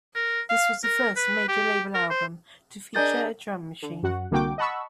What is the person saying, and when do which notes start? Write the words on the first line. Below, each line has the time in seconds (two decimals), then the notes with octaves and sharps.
This was the first major label album to feature a drum machine.
0.15 A#4
0.49 F5
0.84 A#4
1.16 B4
1.48 G4
1.94 A#4
2.10 C5
2.95 D4 G#4 A#4 D5 D#5 G#5 G6 A6
3.82 D3
4.03 F#2 F#4 F#5
4.31 C2 D3 A#3 F#4 G5 D6
4.58 D#5 F#5 A5 B5 C#6 E6